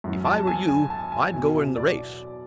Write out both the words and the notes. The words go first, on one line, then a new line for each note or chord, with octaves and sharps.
If I were you I'd go in the race.
F#2 E3
A5
G#5
G#5
A5
G#5
E2 B2 G#5
E5
D5